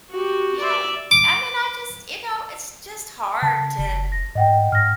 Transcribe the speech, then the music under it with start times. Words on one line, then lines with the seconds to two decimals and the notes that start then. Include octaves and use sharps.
Yeah! I mean, I just you know, it's just hard to
0.11 F#4 G4
0.59 D5 E5
1.11 D6
3.42 C#3 A5
3.79 F#1
4.12 A#6
4.35 G#2 D#5 F#5 G5
4.72 G#2 F6 A#6